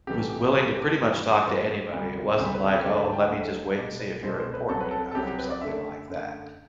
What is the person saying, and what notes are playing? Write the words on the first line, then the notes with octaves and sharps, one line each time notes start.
was willing to pretty much talk to anybody. It wasn't like, "Oh, let me just wait and see if you're important enough," or something like that.
C2 C3 E3 A3 G4
G4
C2 C3 E3 A3 A4
B4
G4
A4
G2 E3 A3 G4
F#4
A4
G2 E3 A3 B4
D2 C3 G3
D2 C3 G3 C5
B4
G4
D2 D3 F#3 A3 D5
B5
A5
G5
F#5
D2 D3 F#3 A3 E5
C2 B2 A3 D5
B4
C2 B2 A3 C5
D5
C5
B4
C2 C3 F#3 A4
B4
A4
A4
C2 C3 F#3 G4
G4
B4
D5
F#2 D3 A3 E5
F#2 D3 A3